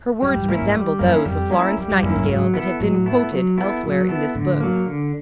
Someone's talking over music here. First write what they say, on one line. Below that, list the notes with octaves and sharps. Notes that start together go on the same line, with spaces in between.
Her words resembled those of Florence Nightingale that have been quoted elsewhere in this book.
G2 G3
G2
G#2 A#3 C#4 E4
G#2
G2 G3
F#2 A#3 C#4 E4
F2 G3
A#3 C#4 E4
F2 G3
F#2
F#2 A#3 C#4 E4
G2
G#2 F#3
B3 E4 A4
A2 F#3
B3 E4 A4
F#3
B3 E4 A4
A#2 F#3
B3 E4 A4
A2 D3
F#3 A#3
D3